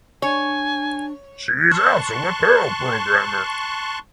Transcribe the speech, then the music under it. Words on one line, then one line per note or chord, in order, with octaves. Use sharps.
She is also a Perl programmer.
D4 C#5 G#5
A5 C6 C#6 F#6